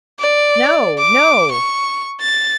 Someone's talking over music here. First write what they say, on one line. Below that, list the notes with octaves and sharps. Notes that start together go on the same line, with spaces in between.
"No, no!"
D5
D6
C#6
A6